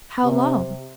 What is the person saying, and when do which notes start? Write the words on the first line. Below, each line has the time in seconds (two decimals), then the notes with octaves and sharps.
"How long?"
0.23 C3